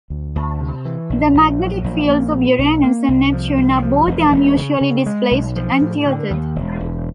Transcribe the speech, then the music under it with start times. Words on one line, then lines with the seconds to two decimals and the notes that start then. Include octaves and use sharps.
The magnetic fields of Uranus and Neptune are both unusually displaced and tilted.
0.10 D2
0.35 D2
0.60 C3
0.85 E3
1.10 A#1
1.34 A#1
1.59 F#3
1.84 A#1
2.09 A#3
2.34 A#2
2.58 B1
2.83 A#3
3.08 C2
3.33 F3
3.57 C2
3.82 F3
4.07 E1
4.32 E1
4.57 C#3
4.81 C#3
5.06 G#3
5.31 B1
5.56 F3
5.81 A2
6.05 D3
6.30 D#2
6.55 E1
6.80 E1